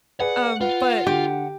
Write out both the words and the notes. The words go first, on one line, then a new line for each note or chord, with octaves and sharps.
um, but,
G#4 B4 D5 F#5
F4 B4 F#5
D3 G4